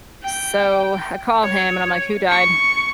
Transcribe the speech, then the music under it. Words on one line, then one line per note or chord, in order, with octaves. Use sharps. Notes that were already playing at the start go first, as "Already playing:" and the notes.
So I call him and I'm like, "Who died?"
G5
C#5
C#6